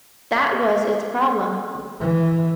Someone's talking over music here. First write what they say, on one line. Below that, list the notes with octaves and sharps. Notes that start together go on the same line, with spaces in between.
That was its problem.
E3